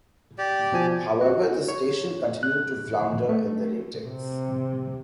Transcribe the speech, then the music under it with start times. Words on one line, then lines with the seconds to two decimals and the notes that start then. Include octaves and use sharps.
However, the station continued to flounder in the ratings.
0.38 G4 D5
0.72 B2 F3 G#5
1.21 F#4
1.68 C#5
2.43 F#6
3.29 A3
4.03 C3